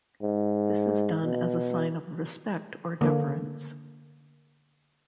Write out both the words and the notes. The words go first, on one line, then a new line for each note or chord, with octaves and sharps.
This is done as a sign of respect or deference.
G#2
B2
D3 A#3